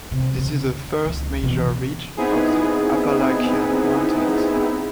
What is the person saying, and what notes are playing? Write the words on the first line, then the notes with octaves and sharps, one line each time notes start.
This is the first major ridge of the Appalachian mountains.
C3
D#2 C#3
C#2 D#3
B2 E3
B3 C4 D#4 E4 G#4